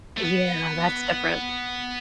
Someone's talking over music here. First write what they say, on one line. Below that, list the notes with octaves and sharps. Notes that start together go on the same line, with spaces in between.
Yeah, that's different.
A3
B3